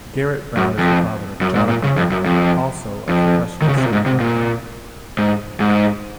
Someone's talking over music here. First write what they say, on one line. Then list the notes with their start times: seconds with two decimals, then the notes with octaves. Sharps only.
Garrett Brown is the father of Jonathan Brown, also a professional cinematographer.
0.57 F#2
0.78 F2
1.41 F#2
1.55 G#2
1.69 A#2
1.83 C#3
1.97 F2
2.11 F#2
2.26 F2
3.09 F2
3.62 D#3
3.68 C#3
3.77 C3
3.85 A#2
3.93 G#2
4.06 C3
4.20 A#2
5.18 G#2
5.60 G#2